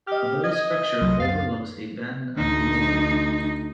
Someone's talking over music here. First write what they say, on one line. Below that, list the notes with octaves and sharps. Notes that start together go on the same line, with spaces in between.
The whole structure overlooks a bend on the Nore.
G4 D#5 F6
D#5 G#6
C2 C3 F#3
F#2 F5 A6
D2 D#4